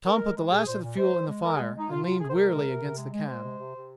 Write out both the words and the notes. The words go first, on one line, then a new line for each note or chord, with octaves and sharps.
Tom put the last of the fuel in the fire, and leaned wearily against the cab.
G#3 A#4
G#3
G#3
A#2 G#4
A#2 C5
A#2
G#3 C5
A#2
G#3
G#3 A#4
G#4
G#3
G#3 D#4
C3 F4
C3 F4
C3 G#4
C5
G#3 A#4
C3
C3
C3
G#3
G#3
G#3 C5
C3
C3
C3